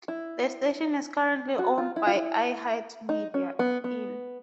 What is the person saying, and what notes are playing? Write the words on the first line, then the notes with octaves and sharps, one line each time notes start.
The station is currently owned by iHeartMedia, In.
E4
F#4
F4
E4
F4
E4
D#4
C#4
B3
B3